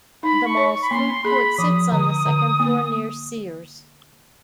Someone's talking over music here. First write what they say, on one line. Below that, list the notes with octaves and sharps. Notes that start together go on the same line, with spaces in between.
The mall's food court sits on the second floor near Sears.
D#4 B5
C#6
C#5
C#6
B5
A#3 C6
G#4 B5
F3 D#6
D3
D3
A#3